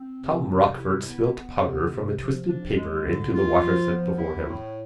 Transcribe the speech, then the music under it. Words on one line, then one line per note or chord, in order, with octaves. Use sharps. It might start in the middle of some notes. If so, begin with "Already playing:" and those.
Tom Rochford spilt powder from a twisted paper into the water set before him.
Already playing: C4
C3
C3
E4
B3
B3
C3
C3
F3
D4
G#3
D3
F4
F3
B3
E4
A2